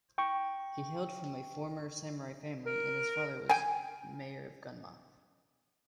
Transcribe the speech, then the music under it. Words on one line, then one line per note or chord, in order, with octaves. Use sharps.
He hailed from a former Samurai family and his father was mayor of Gunma.
G5 C#6
A#4
G5 G#5